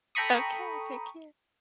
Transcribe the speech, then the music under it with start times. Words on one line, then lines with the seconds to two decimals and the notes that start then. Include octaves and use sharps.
Okay, take care.
0.15 A4 G5 A#5 B5 C#6 D#6